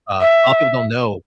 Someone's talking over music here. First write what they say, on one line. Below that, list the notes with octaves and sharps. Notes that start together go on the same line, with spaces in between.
Uh, lotta people don't know
E5